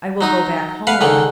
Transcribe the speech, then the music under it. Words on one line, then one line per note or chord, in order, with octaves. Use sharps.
I will go back home.
F#3 D#4 D#6
B4 F5 F#5
C#2 D3 D#3 F#5